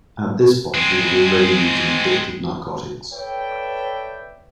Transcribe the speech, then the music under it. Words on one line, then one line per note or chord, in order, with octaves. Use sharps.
At this point, he was already using addictive narcotics.
G#3 C4
A4 B4 C#5 D5 E5 G5